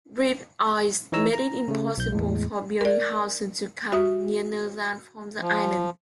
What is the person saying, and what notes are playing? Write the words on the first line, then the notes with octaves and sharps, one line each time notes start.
Drift ice made it impossible for Bellinghausen to come nearer than from the island.
E3 D#4 C#5 A#5 E6
A#5
C#3 A3
B1 G6
E2 A2 G#3
A#4 D5
F#4 E5 D#6
F3